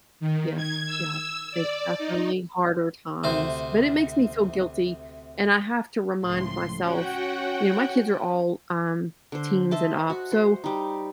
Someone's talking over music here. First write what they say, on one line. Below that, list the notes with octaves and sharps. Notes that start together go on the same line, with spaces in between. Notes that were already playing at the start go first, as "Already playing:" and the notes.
Yep yep, it's definitely harder times, but it makes me feel guilty and I have to remind myself you know, my kids are all, um, teens and up, so,
D#3
G#6
E6
D5
D#4
D2 C3 C5
C#2 A2 F3 C6
C#4 F#4 F#5 G5
D3 C5
C5 D#5 E5 A5
F#4
C5
G3 D#4